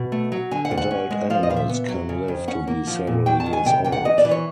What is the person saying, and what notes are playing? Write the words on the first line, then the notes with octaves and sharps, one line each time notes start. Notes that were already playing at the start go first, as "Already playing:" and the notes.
Adult animals can live to be several years old.
Already playing: B2
A3
F#3
D3 G#5
F#5
D2
F#5
C#4
G#3
F3 F5
D#5
A#2 F5
E5
B3
F#3
C#3
F2
C#4 F#5
A#3
F3
A#2
F#3 G5
A5
D#3
G#5
C3 G5
E2 G5
F#5
E2 D#5
D5
E3
C#5